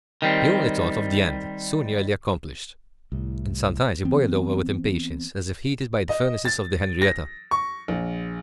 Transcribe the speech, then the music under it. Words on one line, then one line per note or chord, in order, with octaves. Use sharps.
He only thought of the end, so nearly accomplished; and sometimes he boiled over with impatience, as if heated by the furnaces of the Henrietta.
D#3 G3 C4
C2 A2
E3 B3 C4
D#5
A6
A#6
C#6
A#1